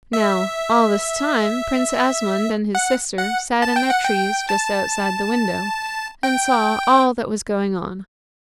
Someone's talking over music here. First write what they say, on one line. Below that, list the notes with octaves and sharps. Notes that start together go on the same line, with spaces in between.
Now, all this time Prince Asmund and his sister sat in their trees just outside the window and saw all that was going on.
E5
F#5
F#5
A5
G5
F#5
G5
A5
G5